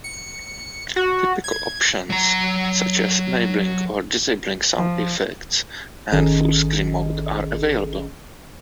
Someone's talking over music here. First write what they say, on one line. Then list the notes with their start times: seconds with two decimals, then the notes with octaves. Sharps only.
Typical options, such as enabling or disabling sound effects and full-screen mode are available.
0.04 C#7
0.96 F#4
1.44 G#6
2.10 F#3 A#5
4.76 F3
6.12 G#1 D#3 C#4 G#4 A4 D#5